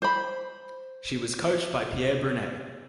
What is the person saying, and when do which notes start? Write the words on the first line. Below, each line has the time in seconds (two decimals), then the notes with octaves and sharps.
She was coached by Pierre Brunet.
0.02 C5 B5